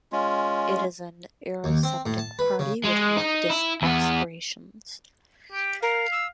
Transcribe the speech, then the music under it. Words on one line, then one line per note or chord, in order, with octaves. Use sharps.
It is an eurosceptic party with leftist aspirations.
G#3 C#4 F4
D#2
C4
A2
A5
B4
C#3
G#3
D#4
E4
E2 B3
G4
A#4 F5
E6